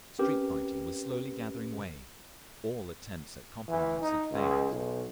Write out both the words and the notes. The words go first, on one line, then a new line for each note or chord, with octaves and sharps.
Street-fighting was slowly gathering way; all attempts at compromise had failed....
C4 C#4 G4 A#4 B4
E3
D#4
C#2
B1